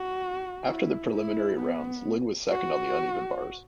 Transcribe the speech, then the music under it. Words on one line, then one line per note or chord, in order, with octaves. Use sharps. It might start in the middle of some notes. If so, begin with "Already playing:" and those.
After the preliminary rounds Lin was second on the uneven bars.
Already playing: F#4
E4
E4
B3
F#4